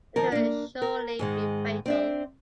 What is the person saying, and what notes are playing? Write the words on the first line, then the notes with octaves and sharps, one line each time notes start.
It will surely be fatal.
D#3 F3 A#4
A#3 D4
A#4
G#2 D#3 G#3
C4 D4 E5